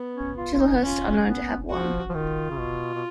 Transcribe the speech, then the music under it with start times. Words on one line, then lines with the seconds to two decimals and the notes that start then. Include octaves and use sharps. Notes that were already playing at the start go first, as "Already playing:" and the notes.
Chislehurst are known to have won.
Already playing: B3
0.16 C#4
0.37 F4
0.54 F4
0.60 D#4
0.81 C#4 F4
1.26 B3
1.70 F3 F#4
2.10 F3
2.14 D#3 F4
2.50 C#3
2.59 B2
2.94 B2